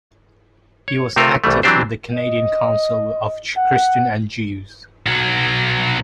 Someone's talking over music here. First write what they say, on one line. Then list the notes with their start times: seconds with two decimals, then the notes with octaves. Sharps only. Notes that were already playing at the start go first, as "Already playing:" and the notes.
He was active with the Canadian Council of Christians and Jews.
0.88 C#5
1.16 C3 A3 C4 F4 A4 A#4
1.44 C2 E3 G3 A3
1.63 E3 F#3 C4 D4 G4 C5
2.14 D#5
3.57 F#5
5.06 B1 F#3